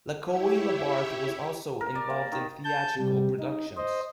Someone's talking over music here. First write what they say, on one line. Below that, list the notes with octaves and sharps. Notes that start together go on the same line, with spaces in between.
Lacoue-Labarthe was also involved in theatrical productions.
E4 G4 C#5 E5
A#4
D5
A#3
D#3
A5 G6
C3 G3
D#4
C5 D#5